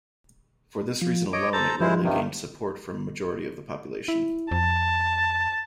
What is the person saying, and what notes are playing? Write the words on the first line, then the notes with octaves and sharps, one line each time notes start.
For this reason alone it readily gained support from majority of the population.
F3
C#5 D#5 D6
A4 C5 A#5 A6
F3 G#3 E4 C5
G2 C3 D#3
E4
F2 A5